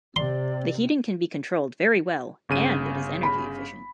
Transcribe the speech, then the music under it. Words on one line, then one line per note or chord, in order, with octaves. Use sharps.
The heating can be controlled very well, and it is energy efficient.
C3 D5 C6
G1 C#3 D#7
B5